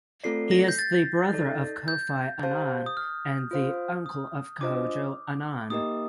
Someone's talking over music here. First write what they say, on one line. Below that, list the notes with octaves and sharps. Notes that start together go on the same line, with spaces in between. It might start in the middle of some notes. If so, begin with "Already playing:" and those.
He is the brother of Kofi Annan and the uncle of Kojo Annan.
A3 C4 F4 A4 D5 C7
A#6
G6
A6
D#4 A4 D5
G6
G4 C5 F5 A5
D#6
F6
F4 C5 F5
D#6
D4 F4 C5 D#5 D6
A#3 D#4 G4 A#4 D#5 D#6